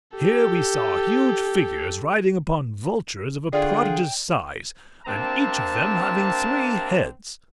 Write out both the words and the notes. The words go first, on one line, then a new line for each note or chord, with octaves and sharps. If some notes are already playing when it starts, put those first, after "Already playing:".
Here we saw huge figures riding upon vultures of a prodigious size, and each of them having three heads.
G4 A4
D3 F4 G#4 D5 F#5 G5
C3 A#3 C4 D4 A5